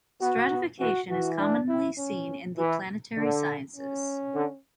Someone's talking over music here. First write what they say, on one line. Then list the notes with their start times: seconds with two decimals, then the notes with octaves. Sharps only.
Stratification is commonly seen in the planetary sciences.
0.21 B3 F#4
0.50 B3
0.79 E3 F#4
1.09 E3 F#4
1.39 D4
1.68 E4
1.98 C#4
2.58 E3
3.17 D3
3.76 C#4
4.35 D3